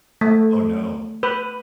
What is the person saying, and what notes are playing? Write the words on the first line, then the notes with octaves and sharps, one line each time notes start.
Oh, no.
A3
B4